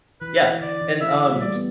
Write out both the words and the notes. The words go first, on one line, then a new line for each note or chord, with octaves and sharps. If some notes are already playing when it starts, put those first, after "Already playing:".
Yeah, and, um, s
E3 B4
E3
D3 D5
E3
F3 E5
E5
A3
G3
A3 D5
B3